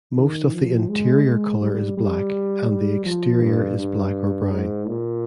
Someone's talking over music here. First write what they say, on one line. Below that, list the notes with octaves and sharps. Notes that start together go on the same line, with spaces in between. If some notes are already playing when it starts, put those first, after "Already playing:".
Most of the interior color is black and the exterior is black or brown.
D#3
F3
G#3
G#3
G3
G3
G3
F3
G2
G2
G#2
A#2